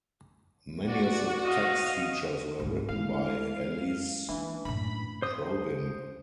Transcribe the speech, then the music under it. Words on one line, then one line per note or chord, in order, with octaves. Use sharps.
Many of the text features were written by Elise Probyn.
F#4 D5
D#5 F5
C#2 G#2 A3 D#4
E3 G#3 B3 E4 F5
E3 A#3 D4 D#4
F#2 A2 B5
C5 D#6